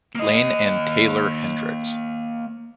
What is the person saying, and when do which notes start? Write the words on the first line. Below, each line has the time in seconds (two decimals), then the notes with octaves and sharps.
Lane and Taeler Hendrix.
0.15 A#3 D#5